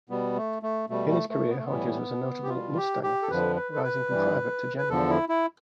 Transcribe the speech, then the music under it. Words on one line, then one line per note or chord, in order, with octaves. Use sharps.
In his career Hodges was a notable "mustang" officer, rising from private to general.
B2 G3 B3
A3
A3
B2 G3 A3
A3
A3
B3
A3
B3
A2 E3 G3
G4
B2 G3 F4
G4
G4
A4
F2 D3 F3 B4
B4
A4
B4
G2 E3 G3
B4
E2 D3 F3 A4
E4
E4